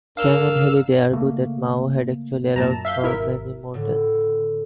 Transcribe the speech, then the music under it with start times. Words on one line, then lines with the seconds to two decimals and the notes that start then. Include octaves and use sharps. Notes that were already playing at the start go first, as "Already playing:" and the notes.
Chang and Halliday argue that Mao had actually allowed for many more deaths.
0.17 D4 A#4 F5 E6 F6
1.12 C#3 A3 A#3
2.56 F#2 A#2 A5 A#5
2.85 E5 F5 G6
3.04 G#1 E4 A#4 E5
3.74 A2 D3